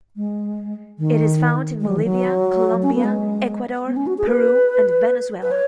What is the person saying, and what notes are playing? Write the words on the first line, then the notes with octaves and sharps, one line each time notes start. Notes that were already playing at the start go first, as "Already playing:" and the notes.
It is found in Bolivia, Colombia, Ecuador, Peru and Venezuela.
G#3
D#3
G#3
F#3
D#3
F#3
C#4
B3
G#3
B3
C#4
F#4
G#4
B4
B4
C#5